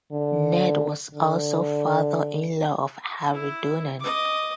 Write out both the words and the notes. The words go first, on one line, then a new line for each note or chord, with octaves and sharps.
Ned was also father-in-law of Harry Donnan.
D3
D3
E4
D#5 D6